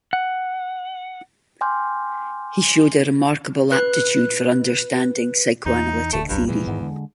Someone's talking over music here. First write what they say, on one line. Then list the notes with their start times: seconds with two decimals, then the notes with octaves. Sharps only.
He showed a remarkable aptitude for understanding Psychoanalytic theory.
0.13 F#5
1.61 G5 G#5 C6 D6 F6 G6
3.72 B4 F#6
5.66 E2 D#4
6.13 D1 D3 A3
6.29 F1 C2 G2 F#3
6.47 E2 B2 F3 G3
6.67 G#2 D3 D#3
6.80 D3 G#3